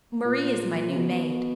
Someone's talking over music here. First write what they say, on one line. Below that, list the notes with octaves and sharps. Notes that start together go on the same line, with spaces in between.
Marie is my new maid.
A#2
C#3
B2